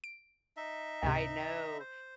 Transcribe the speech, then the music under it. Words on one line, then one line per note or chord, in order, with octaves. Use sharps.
I know,
D7
D#4 E5
C#2 G#2 C3
C5